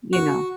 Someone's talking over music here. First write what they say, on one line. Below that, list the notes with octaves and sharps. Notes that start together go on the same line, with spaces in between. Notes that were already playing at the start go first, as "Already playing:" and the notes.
you know,
F#4